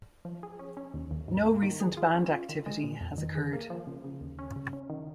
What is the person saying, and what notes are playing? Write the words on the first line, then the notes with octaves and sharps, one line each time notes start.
No recent band activity has occurred.
F3
G#4
C#4
C#4
D#2
D#2
G#2
A#3
D#3
G#4
F4
C#4
F4
D#3
G#3
A#2
F2
D#3
G#4
A#3
F3
C#3
C#3
D#2
C#4
C#3
C#4
D#3